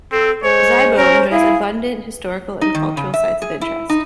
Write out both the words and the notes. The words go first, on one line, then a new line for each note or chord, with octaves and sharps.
Zibo enjoys abundant historical and cultural sites of interest.
C4 A4
G#3 C5 C#5
C#4 A#4
E4 G#4 F5
D#4
D#3
C#3
E5
G#4
E4
D#4